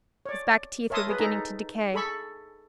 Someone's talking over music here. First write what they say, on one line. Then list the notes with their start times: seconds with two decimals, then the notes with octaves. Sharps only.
His back teeth were beginning to decay.
0.26 C#5 D5
0.90 A#4 C#5 E5 A5 C6 D#6
1.07 G#4 B4
1.20 D#4 G#4 A4 A#5
1.94 G#4 A4 B5 C#6